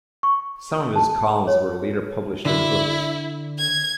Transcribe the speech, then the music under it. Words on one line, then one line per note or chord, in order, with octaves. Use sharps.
Some of his columns were later published as books.
C#6
A5
C#5
D3 E4
G#6